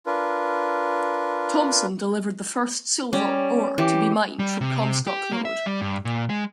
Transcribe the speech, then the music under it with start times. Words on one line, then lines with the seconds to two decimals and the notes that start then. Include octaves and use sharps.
Thompson delivered the first silver ore to be mined from the Comstock Lode.
0.06 D4 F4 A#4 B4
3.13 G3 C#4
3.78 E3 G4
4.39 G3
4.61 C3
5.07 G4
5.32 A#3
5.45 E5
5.66 G3
5.82 G2
6.05 A#2
6.30 G#3